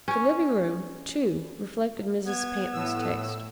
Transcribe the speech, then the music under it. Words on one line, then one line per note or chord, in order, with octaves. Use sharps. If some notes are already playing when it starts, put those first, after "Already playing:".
The living-room, too, reflected Mrs. Pantin's taste.
C#4 C#5
B3 G#6
A2 E6